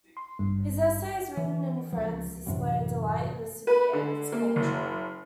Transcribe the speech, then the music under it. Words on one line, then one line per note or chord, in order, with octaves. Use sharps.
His essays written in France display a delight in the city and its culture.
C6
G#1 G2
E3
C#2 F3
A1 F#2 C3 E3
B4
D3
A#3
F#1